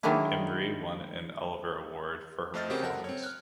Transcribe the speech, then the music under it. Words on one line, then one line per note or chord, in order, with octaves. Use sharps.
Imrie won an Olivier Award for her performance.
D#3 F#3 G#3 A#3 D4 E4
F2 A3 C5 D#5 F6 A6
C#3 C4 F#4 G4 A#4 C5
A4 A#4 F#5 A5
C4 C#5
F6 F#6